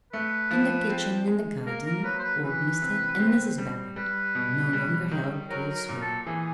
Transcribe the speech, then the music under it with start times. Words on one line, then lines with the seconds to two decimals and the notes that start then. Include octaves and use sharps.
In the kitchen and the garden old Mr. and Mrs. Barrett no longer held full sway.
0.13 A3 B4
0.51 F3
0.89 C4
1.28 G#3
1.66 A#3 A#4
1.86 A#4
2.04 F#3 B4
2.19 C5
2.23 B4
2.43 E3 B4
2.82 C3
3.19 C4
3.58 G3
3.96 G3 B4
4.35 B2
4.73 G3
5.11 D#3
5.50 F#3 A#4
5.76 A#4
5.89 A#2
6.01 A4
6.26 E3 G#4